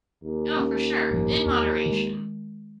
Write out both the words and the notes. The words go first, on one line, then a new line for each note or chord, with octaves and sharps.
Oh, for sure, in moderation.
D#2
C#4
A1 G2 F3
E2
D#3 G#3